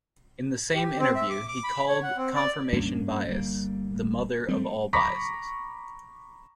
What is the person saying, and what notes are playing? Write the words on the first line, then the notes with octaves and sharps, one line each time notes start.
In the same interview he called confirmation bias the mother of all biases.
G4
C4
E5
D6
D6
B5
C#5
F#5
C4
D5
G2 A#3 C#4 D4
G1 G3 A#3
G3 A3 C4
A#5 B5 C#6 D6 A#6 B6